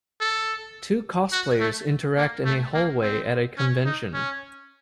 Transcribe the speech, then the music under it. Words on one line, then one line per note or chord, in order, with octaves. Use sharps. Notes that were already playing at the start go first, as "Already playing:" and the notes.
Two cosplayers interact in a hallway at a convention.
A4
F#4
A3
A#3
A3
A#3
C4
C#4
D#4
C#4